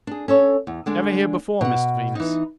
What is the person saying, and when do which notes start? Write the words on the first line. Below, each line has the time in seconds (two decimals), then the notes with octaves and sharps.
Ever here before, Mr Venus?'
0.07 D4 G#4
0.28 C#4 A4 C#5
0.67 E2
0.86 D3 G#3 D4
1.61 B2 F#5
2.15 E3 D#4